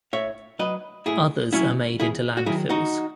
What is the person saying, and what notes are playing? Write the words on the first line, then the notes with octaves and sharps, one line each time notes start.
Others are made into landfills.
A2 C#5 E5
F#3 B4 D#5
A2 E4 G#4
F#3 C#4 E4
E2 E4 G#4
F#4
D#3 F#3 E4 G#4
D#4 F#4